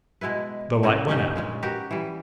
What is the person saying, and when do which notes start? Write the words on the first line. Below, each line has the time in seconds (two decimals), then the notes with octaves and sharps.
The light went out.
0.21 B2 G#3 E4 B4
0.83 A2 C#3 A#4 C#5
1.08 G2 C#4 D#4 G4
1.36 A#2 G#3 C#4
1.62 F#4 G4 A#4 B4
1.91 E3 G3